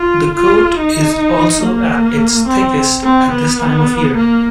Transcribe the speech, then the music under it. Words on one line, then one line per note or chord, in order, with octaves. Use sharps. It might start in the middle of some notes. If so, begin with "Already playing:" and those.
The coat is also at its thickest at this time of year.
Already playing: F4
F4
D#4
A#3
C4
C4
B3
A#3